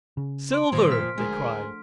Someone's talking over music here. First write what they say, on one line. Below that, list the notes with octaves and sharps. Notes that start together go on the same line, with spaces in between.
"Silver!" they cried.
C#3
C6 D7
A#2 D#3 F3 G3 A3
F6 B6
D2 G#3 G#4 A#4 C5